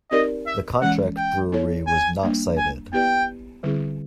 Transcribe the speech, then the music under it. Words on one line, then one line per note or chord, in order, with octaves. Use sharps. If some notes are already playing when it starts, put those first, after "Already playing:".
The contract brewery was not cited.
C4 D#4 G4 A#4 D5 D#5
E5
E3 G#3 C#4 F#5
G5
B3 E4 A4 C#5
G#5
G3 A#3 D4
G#5
B3 E4 G4 B4 D5 G5
D3 G3 C4 E4 G#4